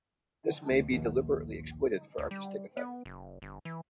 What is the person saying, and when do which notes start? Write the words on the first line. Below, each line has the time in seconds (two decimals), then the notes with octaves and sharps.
This may be deliberately exploited for artistic effect.
0.71 D2
0.91 A#1 D#2
2.18 D2
2.31 G3
2.77 B3
3.05 F#1
3.42 G1
3.65 E3